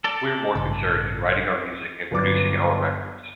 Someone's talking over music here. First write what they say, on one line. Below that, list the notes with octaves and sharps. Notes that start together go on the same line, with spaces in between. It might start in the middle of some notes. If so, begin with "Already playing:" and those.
We're more concerned in writing our music and producing our records.
A4 D5
A1 G2 C#3
G1 F#3 B4 D5 D6 A6